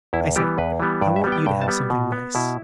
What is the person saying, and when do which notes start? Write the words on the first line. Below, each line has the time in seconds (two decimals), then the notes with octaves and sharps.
I say, I want you to have something nice.
0.13 E2 E4
0.36 E3 G3 B3 G4
0.58 E2 B4
0.80 E3 G3 B3
1.01 G2 D5
1.16 E5
1.24 G3 B3
1.32 G5
1.46 G2 G5
1.61 A5
1.68 G3 B3
1.90 B2
2.12 B3
2.35 B2 E4